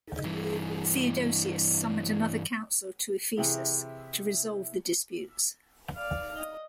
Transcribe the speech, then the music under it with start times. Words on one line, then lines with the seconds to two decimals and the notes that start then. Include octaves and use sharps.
Theodosius summoned another council to Ephesus, to resolve the disputes.
0.24 G2 E3
3.37 C3 E3 E4 G#4
5.95 D5 F5
6.37 D#5